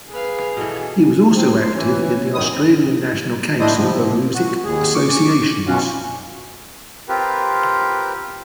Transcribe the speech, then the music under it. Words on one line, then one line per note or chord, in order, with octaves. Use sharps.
He was also active in the Australian National Council of Music Associations.
G#4 B4 F5
B2 E3 A4
C4
E2 C5
E3 C#4
F#2 D#3 D#6
C4
A2 D4 E4 C5 D#5 D#6
C3 F3
F#4
D#2 G#4
C#6 D6
F#2 B2 C#4 F4 F#4
C4 F4 G4 A#4 B4